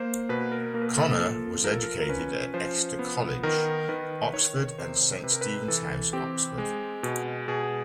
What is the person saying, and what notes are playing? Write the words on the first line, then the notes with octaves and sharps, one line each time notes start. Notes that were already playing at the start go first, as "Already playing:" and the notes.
Conner was educated at Exeter College, Oxford and Saint Stephen's House, Oxford.
Already playing: A#3 C5
B2 B4
A#4
A#3 A#4
B4
A#4
A4
A#4
F3 A4
F3 A#4
A4
A#4
A#4
C#4 B4
F3 C5
B3
D#3 A#4
D#3 B4
D#3 C#5
C3 C5
C3 B4
A#4
B4
E3 A4
C4 G4
G#3
B2
B2 G#4